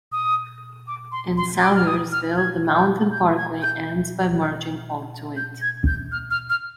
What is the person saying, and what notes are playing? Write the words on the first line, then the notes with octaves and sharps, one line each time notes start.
In Salyersville, the Mountain Parkway ends by merging onto it.
D#6
D6
C6
C6
D6
F6
D#6
F6
G#6
G6
G6
G#6
G6
G6
G#6
G6
F6
F6
F6